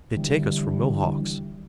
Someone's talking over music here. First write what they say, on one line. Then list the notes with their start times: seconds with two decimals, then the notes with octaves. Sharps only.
They take us for Mohawks.
0.17 D3 E3 G3